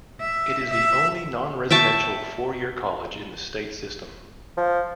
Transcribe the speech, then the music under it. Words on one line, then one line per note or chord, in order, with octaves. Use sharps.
It is the only non-residential four-year college in the state system.
E5
E5
E5 G5 A5 C#6
F3